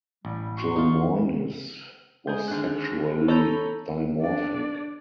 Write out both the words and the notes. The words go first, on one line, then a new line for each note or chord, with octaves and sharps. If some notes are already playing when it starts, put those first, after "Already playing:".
"Dromornis" was sexually dimorphic.
A1 G3
F#4 C6 C#6
D#4 F4
G#3 G#4 G6
D#2 D3 F#6
A4 C#5 A#5 B5 G6
D4 D5